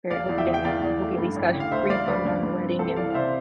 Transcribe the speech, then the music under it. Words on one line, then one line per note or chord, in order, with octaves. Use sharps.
very hope you didn't I hope you, at least, got a refund on the wedding and
E1 D5 F5
E2
E5 G5
E2
G5
E2 D5 F5
E2
A3
G2
A1
D3
F5
D2 C5 E5
G3 D5 F5
D2 B4 D5
G2
G2
C4
C2 A4 C5
E3 D5 F5
F5
C3 C5 E5